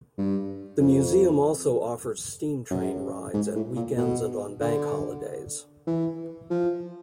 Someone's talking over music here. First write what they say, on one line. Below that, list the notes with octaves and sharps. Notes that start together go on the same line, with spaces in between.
The museum also offers steam train rides at weekends and on bank holidays.
G2
F2
F#2
G#2
A2
A#2
B2
D3
E3
F3